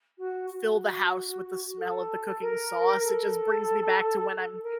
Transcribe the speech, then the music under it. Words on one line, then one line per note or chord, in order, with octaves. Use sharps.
fill the house with the smell of the cooking sauce, it just brings me back to when I'm,
F#4
F#4
A4
A#4
A4
A4
A#4